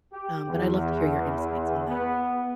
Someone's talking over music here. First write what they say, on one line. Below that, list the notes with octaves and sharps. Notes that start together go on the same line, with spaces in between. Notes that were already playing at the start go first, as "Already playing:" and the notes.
um, but I'd love to hear your insights on that.
G4
E2
B3